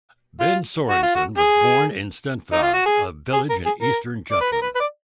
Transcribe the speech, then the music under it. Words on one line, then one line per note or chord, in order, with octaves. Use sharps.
Bent Lorentzen was born in Stenvad, a village in eastern Jutland.
F4
F#4
F4
F#4
G#4
D#4
F4
F#4
G#4
G#4
A#4
G#4
A#4
D5
B4
A#4
B4
B4
D5